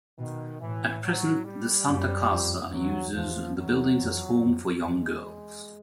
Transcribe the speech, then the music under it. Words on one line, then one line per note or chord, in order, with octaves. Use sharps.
At present the Santa Casa uses the buildings as a home for young girls.
B2 D#3
A2 E3
F#3
G3
F#2
F2
E2 F#3
E2 F3
E2 F#3
F2
F2
E2 G#3